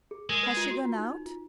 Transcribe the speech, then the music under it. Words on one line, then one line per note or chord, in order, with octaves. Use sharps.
Has she gone out?
G#4
G#3 A#4
B4
F4
F#4
F4
D#4
D#4
F4